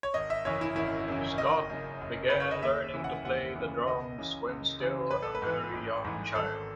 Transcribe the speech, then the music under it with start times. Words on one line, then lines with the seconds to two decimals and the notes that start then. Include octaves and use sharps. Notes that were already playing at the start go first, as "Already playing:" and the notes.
Scott began learning to play the drums when still a very young child.
0.03 C#5
0.14 G#1 D#5
0.30 E5
0.45 F#2 C#3 E3 C#5
0.61 E4
0.76 G#1 E4
1.08 F#2 C#3 E3
1.38 F#1 D#5
1.70 F#2 C#3
2.01 F#1
2.30 F#2 C#3 B4
2.40 C#5
2.51 D#5
2.63 D#2 E5
2.94 C#3 E3
3.04 F#5
3.25 D#2 F#5
3.56 C#3 E3
3.87 C#2 D#5
4.18 C#3 E3
4.49 C#2
4.80 C#3 E3
5.11 A1 B4
5.22 A4
5.35 B4
5.42 G#2 E3
5.73 A1
6.04 G#2 E3
6.35 G#1 A4